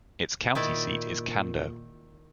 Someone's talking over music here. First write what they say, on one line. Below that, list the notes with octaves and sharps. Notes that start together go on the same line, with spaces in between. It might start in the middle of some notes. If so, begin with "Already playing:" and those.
Its county seat is Cando.
A#2 D#3 E4 D5